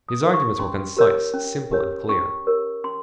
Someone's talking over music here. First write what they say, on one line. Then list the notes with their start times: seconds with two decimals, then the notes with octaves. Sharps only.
His arguments were concise, simple, and clear.
0.09 D#6
0.22 G4 A#4 C#5
0.34 C#6
0.59 C#4 C6
0.97 G4 A#4 C#5
1.34 C#4
1.71 G4 A#4 C#5
2.09 C#4 C#6
2.47 G4 A#4 C#5
2.84 C#4 C6